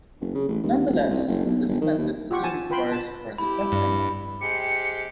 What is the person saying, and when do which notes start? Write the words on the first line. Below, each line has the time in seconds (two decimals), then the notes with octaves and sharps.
Nonetheless, this method still requires further testing.
0.21 F#1
0.35 C#3
0.49 A1
0.64 D#2
0.87 D1
1.11 C2
1.28 F#1
1.46 B1
1.69 G1
1.81 D#3
1.98 D#2
2.31 F4 G4 F#5 C#6
2.43 G#5 A5
2.70 F4 B4 G5 B5 C6
2.92 A5
3.38 E4 G4 B5
3.72 G2
4.41 C3 G#3 G4 C#7